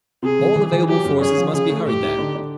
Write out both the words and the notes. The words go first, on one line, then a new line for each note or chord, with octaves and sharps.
All available forces must be hurried there....
C3 G#4
E3
E3
E3
F#3 G4
F#2
C#4 G#4
F3
C#3 G#4
A3
A2 G4
D#4
D3
D3